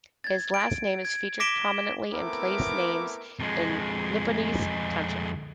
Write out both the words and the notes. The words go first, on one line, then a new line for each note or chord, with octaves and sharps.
His last name is featured prominently in place names in Nippenose Township.
G#6 A6
D7
G#6
D6 A#6 B6 D7 E7 G7
A3 B3 C4 E4 A#4 D6
F2 G#3